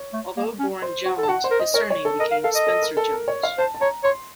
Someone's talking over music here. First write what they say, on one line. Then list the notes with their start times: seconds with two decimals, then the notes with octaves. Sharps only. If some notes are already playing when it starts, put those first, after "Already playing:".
Although born "Jones", his surname became "Spencer Jones".
Already playing: C#5
0.13 A3
0.37 A#3
0.59 C#4
0.82 C5
1.05 F#4 F#5
1.18 A4
1.23 A5
1.29 F#4 F#5
1.44 C5
1.51 A#4
1.59 D#5
1.74 A#4 C#5
1.90 C#5
2.05 A4
2.20 A#4 D#5
2.31 F5
2.44 A4 F5
2.55 D#5
2.67 A4
2.82 A#4
2.97 A4
3.12 A#4
3.28 C#5
3.43 F5
3.58 C5 A5
3.75 A5
3.81 C#5 A#5
4.04 C#5 C6